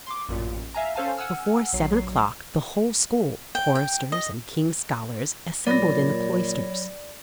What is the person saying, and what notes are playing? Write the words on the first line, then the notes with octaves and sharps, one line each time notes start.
Before seven o'clock, the whole school, choristers and king's scholars, assembled in the cloisters.
C6 D6
A1 F#2 A#2
E5 F5 G#5 A#5
C#4 A4 C5 F5 G#5 A5
F#5 G#5 E6 F6
A#1 F#3 C7
G5
G5
D#5
A#2 F#3 C#5 D5 B5 A#6